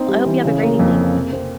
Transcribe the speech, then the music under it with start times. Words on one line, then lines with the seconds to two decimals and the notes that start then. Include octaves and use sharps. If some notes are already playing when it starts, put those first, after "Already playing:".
I hope you have a great evening.
Already playing: C4 D#4
0.08 G3
0.26 E3
0.45 C#3
0.62 A#3
0.79 F2
0.97 A#3
1.14 C3
1.33 C4